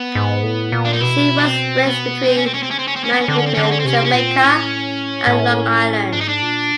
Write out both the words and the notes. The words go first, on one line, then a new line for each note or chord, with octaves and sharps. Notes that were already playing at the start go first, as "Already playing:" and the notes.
She was raised between Mandeville, Jamaica, and Long Island.
Already playing: B3
G#2
A2
A#2
D4
D#4
B2 E4
C#4
C4
B3
C4
C#4
C4
C#4
C4
C3
C#3 C#4
C4
C#4
C4
D3 C#4
C4
C#4
D3 C4
C#4
C4
D3 C#4
C4
C#4
C4
C3 C#4
C4
C#4
A#2 C4
A2 C#4
A2
G#2 D4
D#4
D4
A#2